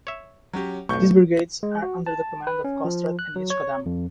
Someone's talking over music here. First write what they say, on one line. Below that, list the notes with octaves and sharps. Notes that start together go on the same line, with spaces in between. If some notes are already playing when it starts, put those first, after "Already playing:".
These brigades are under the command of Kostrad and each Kodam.
C#5 E5
F#3 C#4 G4
B1 F2 A3 C#6 G6
G#3
F#4
A5
B4
C#4
F3
F#6
F#3
C#5
F2